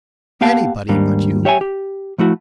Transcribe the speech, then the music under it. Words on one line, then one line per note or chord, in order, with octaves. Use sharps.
Anybody but you.
A#3 B3 G4 F5 G5 A5
D#2 G#2 G3 A#3 D4
G4 C#5 E5 G5 G#5
G4
F3 A3 E4 F#4